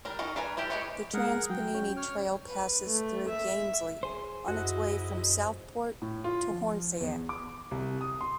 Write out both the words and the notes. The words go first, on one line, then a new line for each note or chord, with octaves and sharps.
The Trans Pennine Trail passes through Gamesley on its way from Southport to Hornsea.
G3 D4 A#4
D#3 C#4 A#4
D4 A#4 B4 G#5
G3 D4 E4 G4
G#3 A3 G4 B4 C#5
G#3 G#4 A#4 F#5
F#3 G5
C#4
C#5 F6
B4
A3
E5
G#4 C5
F#2 E4 F#4 D#5
A2
F4
F3
E2
D6
C2
D#6
C6